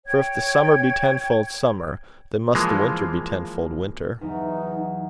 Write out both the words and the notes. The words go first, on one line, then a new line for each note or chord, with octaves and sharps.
For if the summer be tenfold summer, then must the winter be tenfold winter.
C#5 G5 G#6
E3 F3 G#3 A#3
E2 F#3 D#4